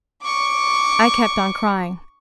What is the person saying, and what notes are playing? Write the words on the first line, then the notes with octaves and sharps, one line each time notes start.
I kept on crying.
C#6 D6